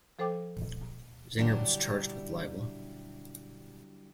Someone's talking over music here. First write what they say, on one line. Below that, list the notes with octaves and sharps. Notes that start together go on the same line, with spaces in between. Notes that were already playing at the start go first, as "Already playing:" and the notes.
Zenger was charged with libel.
F3 A4 C5 G5 D6
D3 F#3 G3 D4 E4 G4